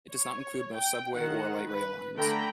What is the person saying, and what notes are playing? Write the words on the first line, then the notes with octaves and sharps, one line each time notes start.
It does not include most subway or light rail lines.
C#5
G5
D#3 F#5
B4
D3 A3 G5 A#5 B5